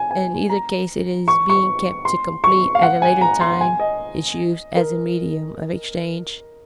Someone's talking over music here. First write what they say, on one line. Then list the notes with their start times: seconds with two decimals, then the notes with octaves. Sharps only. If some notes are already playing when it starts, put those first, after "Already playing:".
In either case it is being kept to complete at a later time its use as a medium of exchange.
Already playing: G#5
0.11 G#5
0.49 A#5
1.28 C#6
1.49 C#6
2.05 C6
2.44 C#6
2.75 F5
2.83 F#5
3.02 G#5
3.21 A#5
3.41 C6
3.61 G#5
3.80 D#5
4.77 A#4